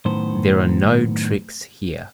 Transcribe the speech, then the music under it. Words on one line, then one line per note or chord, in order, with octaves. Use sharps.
There are no tricks here.
F#2 A2 D#3 B3 C5